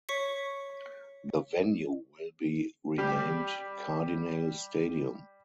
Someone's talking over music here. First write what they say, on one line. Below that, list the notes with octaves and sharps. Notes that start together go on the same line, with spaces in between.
The venue will be renamed Cardinale Stadium.
C#5 C#6 B6 C#7
G3 G4